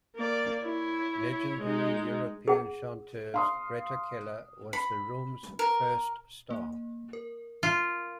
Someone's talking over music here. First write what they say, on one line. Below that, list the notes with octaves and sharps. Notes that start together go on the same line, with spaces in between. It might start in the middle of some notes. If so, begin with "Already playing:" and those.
Legendary European chanteuse Greta Keller was the room's first star.
A#3 D5
E4 C#5
G#3 D#4
G#4 F#5
F5 C6 D#6
B5
A#4
A#3
A#4
F4